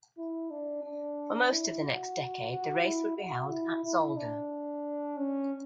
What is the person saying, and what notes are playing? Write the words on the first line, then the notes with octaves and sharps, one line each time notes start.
For most of the next decade, the race would be held at Zolder.
E4
D4
D4
E4
F#4
F#4
E4
F#4
E4
E4
D4
C#4